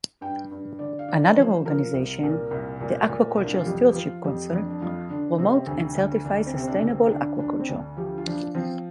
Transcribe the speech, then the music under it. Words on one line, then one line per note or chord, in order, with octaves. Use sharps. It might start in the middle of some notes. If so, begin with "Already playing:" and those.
Another organisation, the Aquaculture Stewardship Council, promote and certifies sustainable aquaculture.
G2 G5
G2
D3 D5
F5
D3 D5
F3 C5
F3 A#4
C2
A#2
C2
A#2
A#2
C2
D4
F4
F2 G4
G4
F3 F4
F2 G4
F2 D4
D4
F2 F4
D3 D4
C3 C4
D2
D2
D2 D4
C4
C3
C4
D4
D2
C4
D3 D4
D2 D4
C4
D2 D4
F3 G4
F4
F3 D4
F3 C4